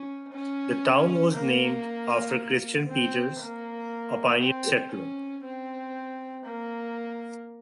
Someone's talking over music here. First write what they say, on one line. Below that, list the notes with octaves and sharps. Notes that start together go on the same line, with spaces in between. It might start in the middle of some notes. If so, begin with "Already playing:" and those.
The town was named after Christian Peters, a pioneer settler.
Already playing: C#4
C#4
A#3
C4
A#3
C4
C#4
C4
A#3